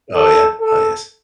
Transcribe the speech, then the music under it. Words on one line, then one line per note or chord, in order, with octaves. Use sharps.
Oh, yeah. Oh, yes.
A4
A4